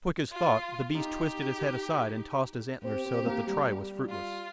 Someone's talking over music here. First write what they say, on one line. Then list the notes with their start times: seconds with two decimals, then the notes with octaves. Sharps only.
Quick as thought the beast twisted his head aside and tossed his antlers so that the try was fruitless.
0.32 F4
0.95 D#4 G4
2.84 C4 G4
3.05 C4
3.26 A#3
3.47 G3
4.10 F4